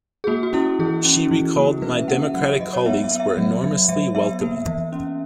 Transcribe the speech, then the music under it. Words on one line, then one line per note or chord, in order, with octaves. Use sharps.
She recalled My Democratic colleagues were enormously welcoming.
G#4
A#3 F#4
F#4
C#4 E4
E3 G#4
C#4
E3
A#3
E3 B4
E5
A#3 F#5
E5
F#3 F#5
E5
F#3 D#5
C#5
B3 E5
E5
B3
E5
F#3
F#3
F#3 E5
B3 E5
A#3
E3
C#4